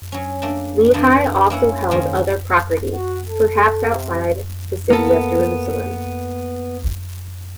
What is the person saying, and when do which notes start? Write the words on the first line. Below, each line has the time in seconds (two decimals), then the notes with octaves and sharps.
Lehi also held other property, perhaps outside the city of Jerusalem.
0.12 F#3 C#4
0.42 A3 A#3 D4
0.94 E3 A#3 B3 D4
1.50 A#3 C#4 E4 F#5
1.91 G#2 D#3 A#3 C#4 F4
2.93 F#4
3.29 A4
3.91 C3
4.90 A#3 B3 A4